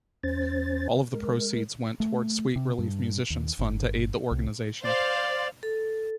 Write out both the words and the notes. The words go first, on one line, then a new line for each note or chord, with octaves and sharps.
All of the proceeds went toward Sweet Relief Musicians Fund to aid the organization.
E2 C#4 C5 A6
G#3 A#4
A3
C3
G2
D#2
G1
C2
C5 D5 F5
A4